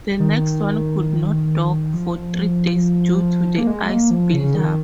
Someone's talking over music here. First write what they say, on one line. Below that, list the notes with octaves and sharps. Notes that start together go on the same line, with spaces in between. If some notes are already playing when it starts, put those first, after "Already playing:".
The next one could not dock for three days due to the ice buildup.
D#3
F3
A#3
G#3
A#3
F3
C#3
C#3
D#3